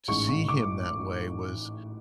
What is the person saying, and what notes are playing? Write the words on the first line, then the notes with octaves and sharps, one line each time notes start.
to see him that way was
A1 G#2 G#3 C#4 C#6
C#6
D6